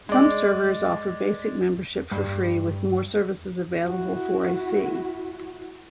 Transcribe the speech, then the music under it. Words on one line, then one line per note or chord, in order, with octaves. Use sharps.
Some servers offer basic membership for free, with more services available for a fee.
G#3 D5
G2
E4 F#4